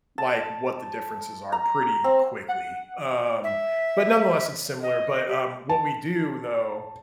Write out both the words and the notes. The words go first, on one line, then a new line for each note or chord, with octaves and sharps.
like, what the differences are pretty quickly, um, but nonetheless, it's similar. But, um, what we do, though,
A5
A#5
C4
F#5
E5
D#5
G4
A5